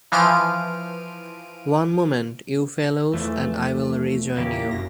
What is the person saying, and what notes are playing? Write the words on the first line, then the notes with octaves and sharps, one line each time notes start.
One moment, you fellows, and I’ll rejoin you.
E3 F3 F6 D7 D#7
E2 E3 F3 A3
E2 C#3 A#3 E4 G4
G#1 F#2 A#6